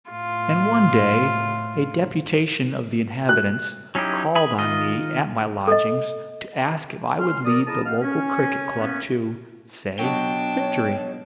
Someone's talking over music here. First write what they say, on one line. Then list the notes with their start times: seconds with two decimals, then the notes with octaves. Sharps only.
And one day a deputation of the inhabitants called on me at my lodgings to ask if I would lead the local cricket club to, say, victory.
0.11 A2 F4
3.29 F#6
3.95 F#3 C#4 D#4 E4 G4
4.35 G#4 B5
4.58 D#3 F4 D#5
5.68 A4 D#5
7.19 C#4 C#5 C6 F6
7.44 A#4 D5 D#6
7.67 F2 E4 G#4 A#4 A5 D#6
7.85 D#5 F5 F#5 F6
8.02 C#4
8.80 A#3 B3 C#4
9.99 B2 F#3 D4 G5 A5
10.58 C#5